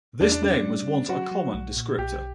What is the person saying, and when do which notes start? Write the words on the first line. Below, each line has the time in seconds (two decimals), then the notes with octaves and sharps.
This name was once a common descriptor.
0.20 E2 D4
0.32 D4
0.42 C#4 D4
0.65 G3
0.88 C#4
1.09 F#3 F#4
1.31 F#3
1.54 B1
1.77 A#2
1.98 B1 G4